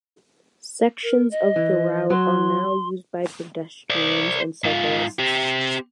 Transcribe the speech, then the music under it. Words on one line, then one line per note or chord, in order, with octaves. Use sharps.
Sections of the route are now used by pedestrians and cyclists.
A#4
D#5
E3
F#3 C6
C5 D5
G#2 F4
C4 G4